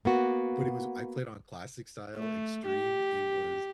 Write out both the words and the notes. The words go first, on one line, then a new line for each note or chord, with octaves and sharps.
but it was I played on classic style extreme, it was
A#3 B3 F#4
A3
G4